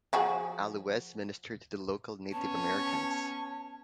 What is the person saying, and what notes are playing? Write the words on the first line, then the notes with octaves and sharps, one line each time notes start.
Allouez ministered to the local Native Americans.
F3 F#4 G#4
B3 C#4 C#5 A5